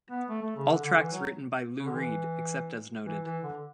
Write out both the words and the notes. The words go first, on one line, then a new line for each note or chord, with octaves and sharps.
All tracks written by Lou Reed except as noted.
B3
A3
A3
C#3
D3
D3
E3
F#3
C#3
D3
E3
E3
E3
D3